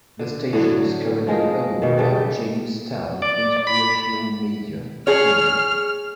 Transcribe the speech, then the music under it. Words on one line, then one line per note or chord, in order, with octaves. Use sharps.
The station is currently owned by Jamestown Inspirational Media, In.
D3
A2 D3 F#3
F3 G#3 A#4 D#5
B2 D#3
C#3 G3 A4 B4
D5
B5
G#4 C#5 F6